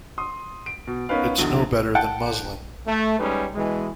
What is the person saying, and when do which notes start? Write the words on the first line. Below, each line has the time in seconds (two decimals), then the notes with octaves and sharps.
It’s no better than muslin.
0.18 C6 D#6
0.66 D7
0.87 B2
1.09 B3 C#4 D#4 A#4 B4 F5
1.38 B1 E2 B2 D3
1.95 F#5 G5 A5
2.87 A3
3.19 G3 G#3 C#4 D#4 B4
3.54 B2 E3 G#3